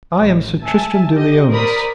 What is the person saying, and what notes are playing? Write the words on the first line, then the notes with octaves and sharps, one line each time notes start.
I am Sir Tristram de Liones.
A1
E5 G#5 A5
G4 D#5
A#4 C5 D5 B5 D#6